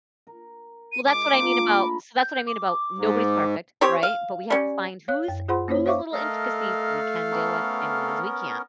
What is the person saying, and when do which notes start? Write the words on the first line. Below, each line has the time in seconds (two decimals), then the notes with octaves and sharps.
Well, that's what I mean about so that's what I mean about, "Nobody's perfect." Right? But we have to find whose whose little intricacies we can deal with and ones we can't.
0.27 A#4
0.92 D#7
1.06 G#3 D6
1.32 A#3 D4 F4
1.70 A3 A#5 B5
2.18 G6
2.47 D6
2.98 G#2
3.81 C4 G4 C5 C#5
4.03 F5
4.50 G3 C#4
5.08 C#5 F5 F#6
5.28 F#2
5.48 F4 G#4 C5 F#5 B5 C6
5.68 A#3 C#4 E4 C5 C#5
5.86 C5 C#5 E5 F5 C#6 D6
6.13 A3 A4 A#4 D#5 F5
7.31 B3 C#4 A#4